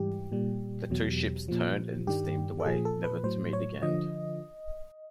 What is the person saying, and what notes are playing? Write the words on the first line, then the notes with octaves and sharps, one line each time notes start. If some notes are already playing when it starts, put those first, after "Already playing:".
The two ships turned and steamed away, never to meet again.
Already playing: G#2 E3 G3 G4
A#2 G3
E2 B2 F#3
A#2 F3
G2 D#3 G3 G4
A4
A#2 F3 G#4
A4
B4
A2 F#3 C5
C#5
D3 F3 D#5